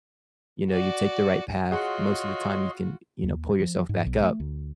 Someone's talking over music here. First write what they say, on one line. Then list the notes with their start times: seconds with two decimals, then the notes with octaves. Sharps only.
you know, you take the right path, most of the time you can, you know, pull yourself back up.
0.70 F#4 D5
1.72 F4 F#4 G#4 C#5 D#5 F#5 C6
3.23 D#2
3.60 F3
3.89 G#2
4.06 B1
4.23 A3
4.40 D2